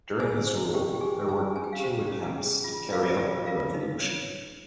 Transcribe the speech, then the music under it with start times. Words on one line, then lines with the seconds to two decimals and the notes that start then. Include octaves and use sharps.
During his rule there were two attempts to carry out a revolution.
0.19 G#4 C5 G#5
0.47 C5
0.74 G4 G5
0.95 G5
1.01 G4 G#4 G#5
1.28 G4 G#4 G#5
1.56 C#4 G#5
1.64 G5
1.73 F5
1.80 G4 C5 G5
2.11 C#4
2.38 G#4
2.64 F4
2.92 F4 C5 F5
3.19 F4
3.46 F4 A#4 F5
3.74 D#4
4.01 C#5